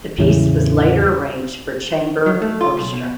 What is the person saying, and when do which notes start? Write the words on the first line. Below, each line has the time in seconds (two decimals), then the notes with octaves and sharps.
The piece was later arranged for chamber orchestra.
0.18 E2 A2 C#3 E3
2.26 F#3
2.42 A3
2.61 F4
2.79 B1
2.93 B2